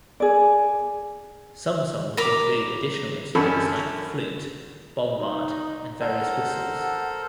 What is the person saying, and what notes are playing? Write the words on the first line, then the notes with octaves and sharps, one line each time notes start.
Some songs include additional instruments like the flute, bombarde and various whistles.
G#4 D5
A#4 A#5 B5 D6
F#2 D3 C#4 A4 B5
D#4
A4 A#4 C5 F#5